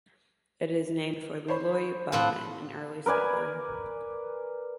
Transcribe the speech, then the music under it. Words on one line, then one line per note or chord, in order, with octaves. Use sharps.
It is named for Leroy Buffman, an early settler.
C5 C#5 B5
A2 C4 F5 F#5
A#4 B4 D5 G#5